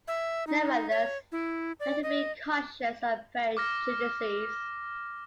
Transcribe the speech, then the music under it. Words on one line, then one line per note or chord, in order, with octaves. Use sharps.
Nevertheless, we have to be cautious of prejudices.
E5
D#4
C#5
E4
D5
D#5
D6 F6 A#6